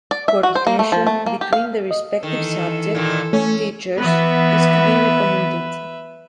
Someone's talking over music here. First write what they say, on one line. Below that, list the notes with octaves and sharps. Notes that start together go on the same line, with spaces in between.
Coordination between the respective subject teachers is to be recommended.
D5
E5
F#4
C5
A#3
A3
F3
A3
A#3
G4
F5
D#5
D#3 E3 A4
A#2 D#3
A3 C#4
E3 B3 B4 E5